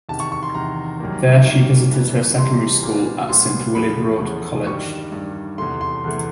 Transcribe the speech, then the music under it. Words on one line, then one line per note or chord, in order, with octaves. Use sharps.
There she visited her secondary school at Sint Willibrord College.
E2 C3 D#3 A5
C#6
C#6
C6
E2 C3 D#3 A#5
F#2 D#3 G3 A#3
F#2 D#3 G3 A#3
C3 E3 G3
C3 E3 G3 C6
A#2 G3 B3
A#2 G3 B3 C6
E2 C#3 F3 A3 B5
E2 C#3 F3 A3
G2 D#3 G3 C#6
G2 D#3 G3
E2 C3 E3 A3 C6
C6
E2 C3 E3 A3